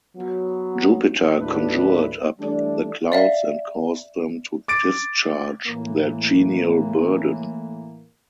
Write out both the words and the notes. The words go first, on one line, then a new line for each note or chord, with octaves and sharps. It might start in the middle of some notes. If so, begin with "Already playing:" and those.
Jupiter conjured up the clouds and caused them to discharge their genial burden.
F#3 B3
D#2 A2 F#3 D4 E4 B4
E3 G3 A3 D4
D5 E5 F5
D6 A6 D7
A2 E3 A#3